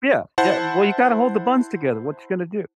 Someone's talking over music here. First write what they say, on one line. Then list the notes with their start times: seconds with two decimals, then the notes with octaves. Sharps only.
Yeah. Yeah. Well, you gotta hold the buns together, what ya gonna do?
0.38 E4 C5 F#5 A5